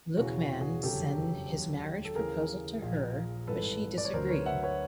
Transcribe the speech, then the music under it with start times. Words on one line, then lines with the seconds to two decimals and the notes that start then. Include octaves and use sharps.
Luqman send his marriage proposal to her but she disagreed.
0.17 E1 E2 C#3 E3 F#4
0.39 F#4
0.61 F#4 G#4
0.83 F#1 F2 D3 F#3 G4 A4
1.49 D#2 D3 F#3
2.05 A4
2.15 D#2 C#3 E3 G#4 A#4
2.82 A#1 A#2 F3
3.47 G#1 G2 E3 A4 B4
3.98 D5
4.05 C#5
4.13 D2 D3 F#3 A#4 C5
4.30 B4 C#5
4.46 E5 F#5
4.63 B4 C#5